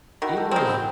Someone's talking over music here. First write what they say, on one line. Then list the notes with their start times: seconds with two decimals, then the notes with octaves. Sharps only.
it was
0.22 D#3 E4 F#4
0.37 G4 A4
0.51 G#3 C4 G#4 A#4
0.67 E4 F#4